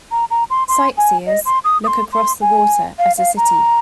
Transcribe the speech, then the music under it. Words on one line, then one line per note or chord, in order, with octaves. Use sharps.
Sightseers look across the water at a city.
A#5
A#5
C6
C6
G#5
D#5
C6
D#6
D#6
C6
C6
G#5
F5
F5
A#5